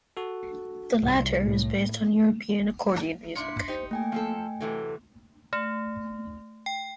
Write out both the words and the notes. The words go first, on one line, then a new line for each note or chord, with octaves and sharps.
The latter is based on European accordion music.
F#4 A4
C2
A2
A#2 D4 E4 C6 C#7
D#4 G4 C5
A3 A#3 G5 G#5
F3 C4 A4
C3 E3 F#3 A4
A3
G5